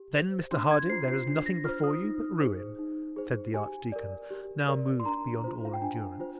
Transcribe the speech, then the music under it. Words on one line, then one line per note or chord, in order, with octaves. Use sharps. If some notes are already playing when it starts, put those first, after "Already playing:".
"Then, Mr Harding, there is nothing before you but ruin," said the archdeacon, now moved beyond all endurance.
Already playing: G4
C5
D4 C6
G#6
F4 C5 C7
C7
D4 C7
A#6
F4 C5 F6
D#6
D#4
G#4 C5
D#4
G#4 C5
G4 G#5
A#4 D5
G4
A#4 D5
C6
D4 A#5
F4 C5
F5
G5
D4 G#5
F4 C5